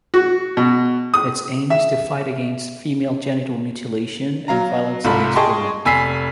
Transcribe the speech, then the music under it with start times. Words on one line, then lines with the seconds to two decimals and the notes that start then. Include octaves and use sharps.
Its aim is to fight against female genital mutilation and violence against women.
0.14 F#4
0.57 B2
1.14 D#6
1.70 E5
4.48 F#3 F5 A#5
5.04 C2 G#2 F4 A4 B5
5.36 G#4 D#5 G5 A5 C6 C#6
5.85 F1 G#5 B5 E6 B6 C7